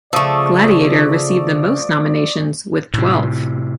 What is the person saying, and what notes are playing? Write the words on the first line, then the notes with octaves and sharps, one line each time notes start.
"Gladiator" received the most nominations with twelve.
C#3 F3 A3 D5 C#6 D#6 E6
A2 C3